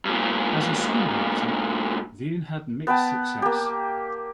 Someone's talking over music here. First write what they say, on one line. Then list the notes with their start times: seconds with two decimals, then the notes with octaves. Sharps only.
As a songwriter, Vian had mixed success.
0.05 G2 A#2
2.87 B3 B4 G5 A5
3.42 A#3 G4